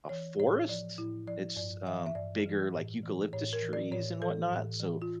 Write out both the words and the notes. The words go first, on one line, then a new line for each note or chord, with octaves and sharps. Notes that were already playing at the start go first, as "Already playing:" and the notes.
a forest it's, uh, bigger, like, eucalyptus trees and whatnot, so
E3 C#5
A2 C#5
F3 D5
A2 E4
F3 D5
G2 D5
E3 E5
E5
G2 D5
E3
A2
E3
A2 C#5
A#4
E3
D5
A2 C#5
E3 A4
A2
E3
F4